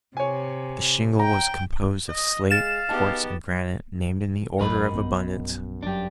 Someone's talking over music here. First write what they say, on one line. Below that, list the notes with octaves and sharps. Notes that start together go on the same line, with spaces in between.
The shingle was composed of slate, quartz, and granite, named in the order of abundance.
C3 C#5 G#5
G5 A#5
D#5
G#3 F5 A6 E7
B3 D#4 G4 G#4 A5
D#1 G#1 F#2 F#3 A#4 D#5 B5
A#1 B3
G1 F#3 D4 G4